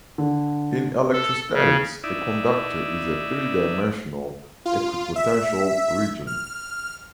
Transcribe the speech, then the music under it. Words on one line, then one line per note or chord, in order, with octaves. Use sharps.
In electrostatics a conductor is a three-dimensional equipotential region.
D3
A4
C#3
D#4 E4 D5 E5
F4
E5
F6